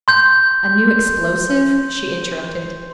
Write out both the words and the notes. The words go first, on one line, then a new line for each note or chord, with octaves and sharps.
'A new explosive?' she interrupted.
C6 G6